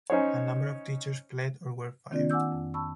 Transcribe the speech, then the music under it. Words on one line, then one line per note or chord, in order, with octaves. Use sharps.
A number of teachers fled or were fired.
C#4 D#4 C5 C#5
D#3 A#3 C4 D4 F4 D5
F#5 G#5 D6 E6 G6
F2
A5 B5 C#6 E6